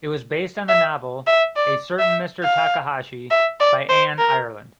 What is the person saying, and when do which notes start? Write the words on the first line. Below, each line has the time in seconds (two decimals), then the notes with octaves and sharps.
It was based on the novel "A Certain Mr. Takahashi" by Ann Ireland.
0.69 E5
1.27 E5
1.56 D5
1.99 E5
2.43 F5
3.30 E5
3.60 D5
3.89 C5
4.18 A#4